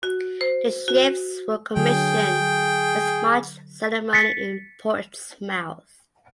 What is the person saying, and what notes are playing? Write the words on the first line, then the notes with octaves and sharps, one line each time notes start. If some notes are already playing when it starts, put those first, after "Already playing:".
The ships were commissioned with much ceremony in Portsmouth.
F#4
C5
F#4
D3 F#3 G#4 G5
A6 B6 C#7